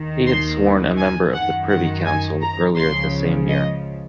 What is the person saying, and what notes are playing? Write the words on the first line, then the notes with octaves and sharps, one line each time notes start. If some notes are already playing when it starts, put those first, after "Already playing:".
He had sworn a member of the Privy Council earlier the same year.
Already playing: D#2 D#3
C6
G#5
F#2 D#3 F#5
F#5
G#5
A#5
C#2 C#3 F3 C6
D#5